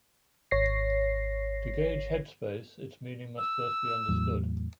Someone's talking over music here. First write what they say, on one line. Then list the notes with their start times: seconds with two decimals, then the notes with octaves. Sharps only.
To gauge 'headspace' its meaning must first be understood.
0.51 G#1 C#5 A#6 C7
3.38 E6
4.09 E2 A2 F#3